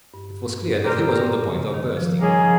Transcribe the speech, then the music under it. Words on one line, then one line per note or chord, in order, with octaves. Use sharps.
It was clear that he was on the point of bursting.
G2
G#2
G2
G#2
C3 G3 C4 G4 A#4
C#3
D#3
F3
D#3 G3 A#3 C#4 G#4
F3